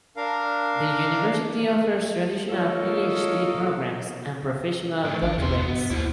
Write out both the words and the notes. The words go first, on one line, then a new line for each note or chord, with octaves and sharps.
The University offers traditional Phd programmes and Professional Doctorates.
D4 A#4 F5
A#3 C#4 D#4 F4 A4
A2 D#3
A1 D4
E2 C#3 C6
G2 B3
D#2 E4 C5